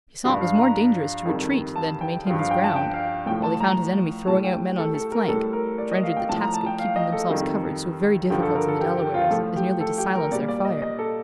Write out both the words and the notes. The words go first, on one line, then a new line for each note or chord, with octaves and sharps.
He saw it was more dangerous to retreat than to maintain his ground: while he found his enemy throwing out men on his flank; which rendered the task of keeping themselves covered so very difficult to the Delawares, as nearly to silence their fire.
G2 F3 F5
F5
A#5
F2 D#3 G3
A5
G5
G2 F3 F5
F5
G5
A5
G5
F5
A2 F3 G5
A5
A#5
A2 G3 A5
G5
A4
A4
A#4
A2 G3 A4
A#4
D5
D#5
F5
G5
A2 F3 A5
A#5
A5
G5
F5
D#5
A4
F2 D#3 G3
G2 D3 F3 G4
A4
A#4
A4
G4
G4
F4
A2 F3 A4
G4
A4
G4
A#4
A#2 G3 D5
D5
D#5
D#5
A4